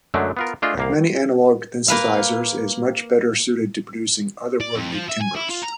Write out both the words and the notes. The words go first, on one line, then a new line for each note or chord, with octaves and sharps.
Like many analog synthesizers, it was much better-suited to producing "otherworldly" timbres.
F#2 D3 F#3 G#3 A3 D4
B3 F4 A#4
A3 D4 F4 G#4 D#5
C2 A#3 F5
A#3 B4 F5
D5
F2
F3
E5
G#5
E4
F4
A#5